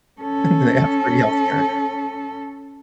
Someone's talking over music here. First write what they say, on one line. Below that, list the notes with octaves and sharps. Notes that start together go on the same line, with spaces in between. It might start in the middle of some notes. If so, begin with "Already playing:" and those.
They have free health care.
C#4 A4